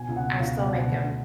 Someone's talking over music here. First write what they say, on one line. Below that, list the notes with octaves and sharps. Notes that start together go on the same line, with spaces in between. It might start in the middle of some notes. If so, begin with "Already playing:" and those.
I still make 'em
Already playing: B2 G#5
C#2
F#5
B2
C#2 F5
B2
B2
D2
D3